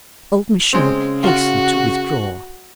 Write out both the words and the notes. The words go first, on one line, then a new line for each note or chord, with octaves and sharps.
Old Michaud hastened to withdraw.
C#3 G#3 C4
F4 F#4